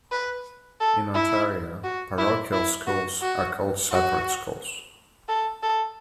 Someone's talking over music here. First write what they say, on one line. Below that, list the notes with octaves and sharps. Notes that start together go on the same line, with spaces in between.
In Ontario, parochial schools are called separate schools.
B4
A4
E4
F#4
E4
E4
F#4
F#4
F#4
A4
A4